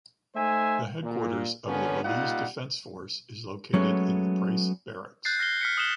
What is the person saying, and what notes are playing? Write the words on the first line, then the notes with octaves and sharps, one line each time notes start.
The headquarters of the Belize Defence Force is located in the Price Barracks.
A3 D#4 C5 E5 G#5
A#2
D3 F3 A#3 B3 C#4
A#2 G3 D#4 F4 F5 F#5
F#3 G#3 A3 B3 C#4
F#6 G6 A6 C7
F6 A#6 C7 G7
F6 B6 C#7
D#6 F6 F#6 E7 G7